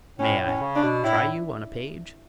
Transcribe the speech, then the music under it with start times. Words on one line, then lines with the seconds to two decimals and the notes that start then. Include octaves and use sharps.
"May I try you on a page?"
0.19 A2 C#4
0.40 A2
0.48 C#4
0.61 C#3
0.76 D4
0.83 B2
1.04 A2 E4